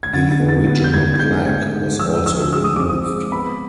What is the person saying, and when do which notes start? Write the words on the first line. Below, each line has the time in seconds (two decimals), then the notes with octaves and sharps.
The original plaque was also removed.
0.03 G#6
0.13 D3 A6
0.31 A6
0.40 B3
0.49 A6
0.67 B3 A6
0.84 G6
0.94 G2 G#6
1.14 G#6
1.19 G#2 G6
1.46 A3 G#6
1.72 G#2
1.99 F3 E6
2.26 G#2 E6
2.53 G#3 E6
2.64 D#6
2.76 C4 D6
2.89 D#6
3.06 G#3
3.32 B3 B5